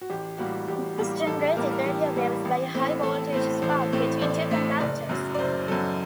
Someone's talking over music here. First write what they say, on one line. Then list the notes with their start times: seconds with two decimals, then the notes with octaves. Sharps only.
These generated radio waves by a high voltage spark between two conductors.
0.01 F#4
0.10 A1 G4
0.38 A2 G3 A#3 F#4
0.68 A1 G4
0.97 A2 G3 A#3
1.27 A1 A4
1.42 G4
1.56 A2 G3 A#3 A#4
1.71 A#4
1.86 A1 G4
2.16 A2 G3 A#3
2.45 A1
2.75 A2 A3 C4
3.03 A1 A4
3.33 A2 A3 C4 C5
3.62 A1 C5
3.93 A2 A3 C4
4.22 A1 D5
4.51 A2 A3 C4
4.81 F#1 D5
5.09 F#2 F#3
5.34 D5
5.39 F#1 C5
5.68 F#2 F#3 A4